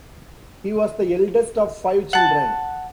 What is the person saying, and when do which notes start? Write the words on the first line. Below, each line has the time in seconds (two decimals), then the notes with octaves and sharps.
He was the eldest of five children.
2.13 F#5 A5